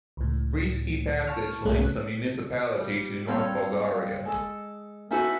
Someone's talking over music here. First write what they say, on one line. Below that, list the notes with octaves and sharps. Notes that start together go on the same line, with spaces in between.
Rishki Passage links the municipality to north Bulgaria.
C#2 A2
A5 C#6 F6
C2 G#2 A3 C#4 G#4 F#6
G3 F4
G3 A#3 C4 A4 C#5 F5
G#3 A4
C#4 D#4 E4 F#4 A4 B4